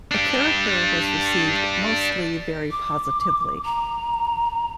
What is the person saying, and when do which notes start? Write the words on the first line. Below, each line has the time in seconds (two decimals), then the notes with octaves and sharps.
The character was received mostly very positively.
0.11 D4 G4
2.71 D6
3.65 A#5